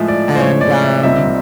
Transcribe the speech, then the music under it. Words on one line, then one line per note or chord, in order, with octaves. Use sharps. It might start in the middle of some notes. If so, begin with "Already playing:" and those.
and, um
Already playing: A2 F3 G#3 E5
D5
C5
A2 F3 G#3 C#5
D5
E5
C2 A#2 G3 C4 D#4 E5